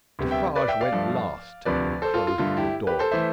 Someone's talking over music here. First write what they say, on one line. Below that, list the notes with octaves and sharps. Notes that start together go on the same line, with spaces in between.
Defarge went last, and closed the door.
D2 C3 G3 B3
E5 G5
B4 D5
E5 G5
D5 F5
G2 F3 A3
D2 C3 F3 B4 D5
A4 C5
F4 A4
F4
G2 D3 A3 F4
E4 G4
G4 B4
A4 C5
E3 A3 C5 E5